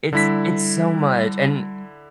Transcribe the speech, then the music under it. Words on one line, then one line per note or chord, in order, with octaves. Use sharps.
It's it's so much, and,
D3 G3 E4 B6